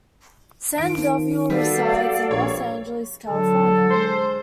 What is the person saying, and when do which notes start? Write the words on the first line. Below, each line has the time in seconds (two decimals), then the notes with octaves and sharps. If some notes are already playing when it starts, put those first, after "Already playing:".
Sandoval resides in Los Angeles, California.
0.78 D#3 F3 D7
1.50 G3 B3 F#4 A4 D5 F5
2.31 A#1 G2 C#5
3.28 D3 F#3 A4
3.91 G#3 C5